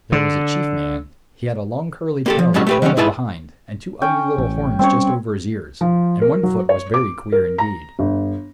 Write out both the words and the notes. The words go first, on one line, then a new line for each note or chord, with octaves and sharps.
There was a Chief Man; he had a long curly tail that curled up behind, and two ugly little horns just over his ears; and one foot was very queer indeed.
D3
A#3 G4 A4
F3
A2 F#3 G#3 C#4 A5
A3 G4 B4
D#3 F#3 G3 A3 C#4
G#2 E4 G#4 B4 A5
C#4 G5
A1
G3 A#3 C4 C#4 C#5
F3
A#4
F#3
C#5
D6
A#4
A#5
G1